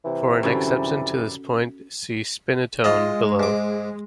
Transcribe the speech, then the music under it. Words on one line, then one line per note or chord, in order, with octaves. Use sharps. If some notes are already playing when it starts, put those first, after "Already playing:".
For an exception to this point, see "spinettone", below.
C3 E3
F#2 D3 G3 C#4 F#4 A4
G#3 F4 D#5
G#2 D6